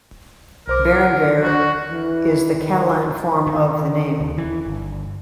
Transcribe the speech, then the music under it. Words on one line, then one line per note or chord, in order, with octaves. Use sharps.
Berenguer is the Catalan form of the name.
B1 A#4 C5 D6
F#5
D#3
D4 F#4
E3
D#3
D#3
D#2
E3
G1